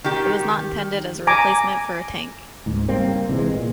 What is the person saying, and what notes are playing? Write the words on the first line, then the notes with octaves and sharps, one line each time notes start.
It was not intended as a replacement for a tank.
D#3 G4
G#5 A#5 D6
C#2 G#2
G3 A#3 C4
C3 E3 G#3
A#2